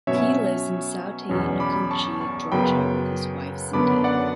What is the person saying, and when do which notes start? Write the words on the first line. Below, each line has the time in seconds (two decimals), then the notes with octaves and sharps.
He lives in Sautee Nacoochee, Georgia with his wife Cindy.
0.07 B2 F#3 C#4 C#5 E5
1.29 E2 B2 F#3 C#4
1.60 B5 D6
1.91 A5 C#6
2.21 A5 C#6
2.52 F#2 C#3 F#3 B3 G5 B5
3.73 F#2 D3 F#3 B3 D4 B5 D6
4.04 D5 F#5